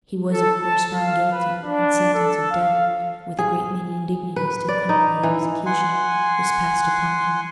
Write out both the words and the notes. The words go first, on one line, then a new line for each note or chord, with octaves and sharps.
He was, of course, found guilty, and sentence of death--with a great many indignities to accompany the execution--was passed upon him.
A4
A5
F5
B4
D4
A4
F5
G#4
B4
D5
D#4
E3
F#5 G#5 C6